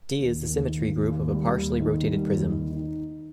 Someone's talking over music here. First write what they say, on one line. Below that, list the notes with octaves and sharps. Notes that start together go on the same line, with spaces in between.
"D" is the symmetry group of a partially rotated prism.
D#2
D#2
D#3
D#2
D#2
G3
D#2
D#3
G3
D#2
D#3
D#4